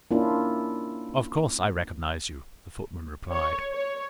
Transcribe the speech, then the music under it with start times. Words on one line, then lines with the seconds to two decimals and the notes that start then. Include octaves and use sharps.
"Of course I recognise you," the footman replied.
0.11 A#3 C#4 D4 E4 F4
3.30 C#5
3.72 C#5